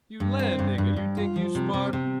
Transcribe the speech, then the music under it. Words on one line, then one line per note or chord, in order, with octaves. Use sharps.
"You lan' niggah, you tink you smart!"
G2
C4
G2
G2
G2
F4
F3
C3
C3
C3